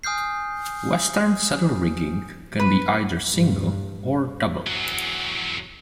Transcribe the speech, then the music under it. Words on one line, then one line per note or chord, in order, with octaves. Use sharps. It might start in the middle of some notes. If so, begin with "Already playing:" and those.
Western saddle rigging can be either single or double.
G#5 D#6 F6 G6 C7
B4
G2
E2 F#3